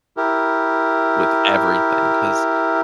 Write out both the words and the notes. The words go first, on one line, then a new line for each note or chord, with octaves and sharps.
with everything 'cause,
E4 G4 A#4